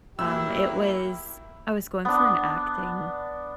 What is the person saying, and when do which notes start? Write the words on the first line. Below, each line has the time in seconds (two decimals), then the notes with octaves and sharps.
um, it was I was going for an acting
0.19 F#3 A#3 E4 G4 E6
2.05 B3 D4